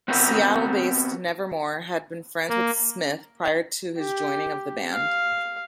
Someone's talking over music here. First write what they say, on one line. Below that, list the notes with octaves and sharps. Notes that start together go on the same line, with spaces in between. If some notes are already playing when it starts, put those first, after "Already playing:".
Seattle-based Nevermore had been friends with Smyth prior to his joining of the band.
B3 C4 F#4 A#4 B4
A#3
G4
F5